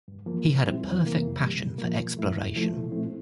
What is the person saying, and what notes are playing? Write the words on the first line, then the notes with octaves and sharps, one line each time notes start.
He had a perfect passion for exploration.
G2
F3 A#3
A#2
G3 C4 E4
E2
C3 E3 A#3
F2
C3 G3
A#2
F3 A#3
A#2
A3 E4
E2
C3 F3 A3 E4
A#2
A3 C4 E4